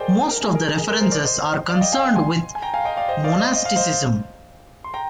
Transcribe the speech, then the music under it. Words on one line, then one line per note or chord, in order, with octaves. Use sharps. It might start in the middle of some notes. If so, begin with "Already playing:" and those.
Most of the references are concerned with monasticism.
Already playing: G#4 A#4 C5 D5 D#5 G5
A#4
G#4
A#4
G#4
A#4
G#4 C5
A#4 D5
C5 D#5
D5 F5
D#5 G5
F5 G#5
G#5 C6
G#5
G5 A#5
F5 G#5
D#5 G5
D5 F5
C5 D#5
D5 F5
C5 D#5
D#5
F5
C5 D#5
C6
G5 A#5